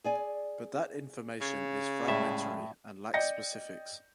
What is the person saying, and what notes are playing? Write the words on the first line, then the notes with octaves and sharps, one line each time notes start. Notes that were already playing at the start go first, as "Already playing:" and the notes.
But that information is fragmentary and lacks specifics.
G#4 D5 G#5
C#3
A2 G3 G#3 E5
D5 D#5 G5 G6 A#6 C#7